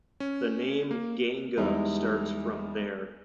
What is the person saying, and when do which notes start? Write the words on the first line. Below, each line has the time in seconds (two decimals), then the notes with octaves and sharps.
The name Ganga starts from their.
0.20 C#4
0.91 A#3
1.57 E2 G3 G#3 D#4 E4